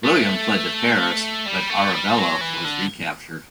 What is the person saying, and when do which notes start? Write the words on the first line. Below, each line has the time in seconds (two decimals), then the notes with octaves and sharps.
William fled to Paris, but Arabella was recaptured.
0.06 A3
1.48 G3
1.70 A3
1.94 G3
2.18 F#3
2.41 E3
2.65 D3